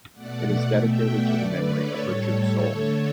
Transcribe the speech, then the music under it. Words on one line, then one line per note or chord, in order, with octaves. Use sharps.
It is dedicated to the memory of Richard Sohl.
B2 A3 D5 F#5
B2 A3 E5 G5
D5 F#5
D3 A3 B4 D5
A4 C#5
A2 G3
D3 A3